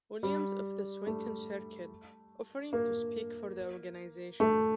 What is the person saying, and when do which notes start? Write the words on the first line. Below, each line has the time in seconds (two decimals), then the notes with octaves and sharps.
Williams of the Swinton Circle offering to speak for the organisation.
0.23 G3
1.07 A3
2.73 A#3
4.40 A3